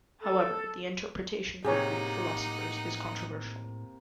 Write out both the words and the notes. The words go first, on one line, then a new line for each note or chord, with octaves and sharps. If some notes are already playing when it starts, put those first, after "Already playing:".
However, the interpretation of Greek philosophers is controversial.
A4
A2 C3 A#3 D#4 G#4 C#5 F#5